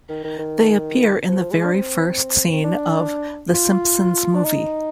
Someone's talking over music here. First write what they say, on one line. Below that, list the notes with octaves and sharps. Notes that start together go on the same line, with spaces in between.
They appear in the very first scene of "The Simpsons Movie".
D#3
D#3
D#3
F3
G#3
D4
C4
C4
D4
F4
D4
D#4